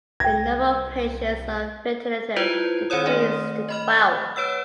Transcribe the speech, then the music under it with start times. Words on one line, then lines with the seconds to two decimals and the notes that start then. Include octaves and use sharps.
The number of patients on ventilators decreased to twelve.
0.20 C2 G5 G#6 A#6
2.36 E4 F4 B4 C5
2.90 D#3 C4 C5 C#5 D#6
3.06 A3 D4
3.69 D#5 B5 F6
4.36 B4 C#5 F#5 E6